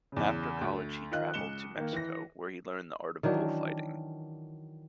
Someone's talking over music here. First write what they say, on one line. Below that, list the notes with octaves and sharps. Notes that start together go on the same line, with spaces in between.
After college he traveled to Mexico, where he learned the art of bullfighting.
E2 C#3
D2
D#3 F4 D#5 F#6
C#2 C#7 E7 G7
D#3 A#3
E3 A#6
D#3 E3 F#3 D4